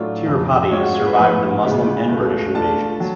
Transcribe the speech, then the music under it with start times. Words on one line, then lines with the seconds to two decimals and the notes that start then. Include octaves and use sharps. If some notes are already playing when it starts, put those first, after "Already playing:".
Tirupati survived the Muslim and British invasions.
Already playing: A2 F#3 A3 D4 F4
0.26 F2 C#3 F3
0.71 G#2 G#3 C#4 F4 C#5
0.83 F#4
0.94 G#4
1.06 B4
1.17 A2 F3 B3 F4 B4
1.63 D2 C#3 G#3 B3
2.09 C#2 B2 A3
2.54 B2 A3 D4 F4 A5
3.00 F#3